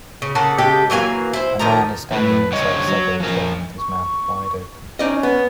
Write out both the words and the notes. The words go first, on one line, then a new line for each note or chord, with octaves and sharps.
A man is standing inside a subway train with his mouth wide open.
C#3
C#3 A#3 A4 F#5
C#3 G#3 G4 A4
E3 F#3 A#3 G#5
E4 C5
A#2 D#3 F3 A#5
A2 A3 B4
D3 G3 C#5 D#5
F#3
F3 C#4 A#4
C#6
C#4 D#4 D5 D#5
B3